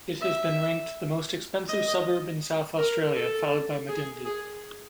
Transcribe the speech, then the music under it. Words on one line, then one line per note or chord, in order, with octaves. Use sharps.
It has been ranked the most expensive suburb in South Australia, followed by Medindie.
E5
D#5
A#4
A4
G#4
G#4